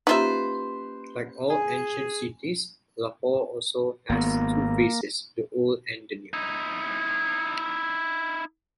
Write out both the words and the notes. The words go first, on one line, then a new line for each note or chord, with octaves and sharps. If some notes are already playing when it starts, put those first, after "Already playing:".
Like all ancient cities, Lahore also has two faces, the old and the new.
A#3 C#4 D#4 F4 G4 B4 C5 E5
G#4 G#5
G#1 A#3 B3
D#4 E4